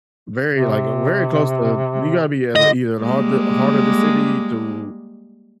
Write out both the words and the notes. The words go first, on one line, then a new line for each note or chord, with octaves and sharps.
very, like very close to you gotta be at either the heart the heart of the city to
C3
D3 D#5
G3 G#3 A#3